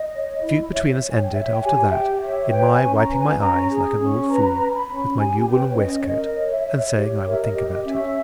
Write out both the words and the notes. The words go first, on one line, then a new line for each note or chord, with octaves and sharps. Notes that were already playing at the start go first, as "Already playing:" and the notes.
The dispute between us ended, after that, in my wiping my eyes, like an old fool, with my new woollen waistcoat, and saying I would think about it.
Already playing: D#5
C#5
E4
C#5 E5
C#5
G#5
G5
C#5 E5
G5
G4 G#5
E5
G4 G5
C#5 E5
B4 G5
G#5
C#4
A#5
B4
G#5
C#4 A#5
G#4
C#4
B4 A#5
C#4
B5
C#4
G4 G#5
G#5
B4 G5
C#5
C#4 D#5
C#5
A#4 D#5
C#5
E5
C#5
G4 C#5
A#4 E5
D#5
G4
C#4 E5